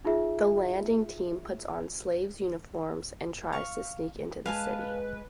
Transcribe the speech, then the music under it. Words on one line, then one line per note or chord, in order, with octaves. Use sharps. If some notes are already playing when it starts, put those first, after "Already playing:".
The landing team puts on slaves' uniforms and tries to sneak into the city.
D#4 F4 G#4 E5
F5 C#6
G#3 B4 F5 G#5 A5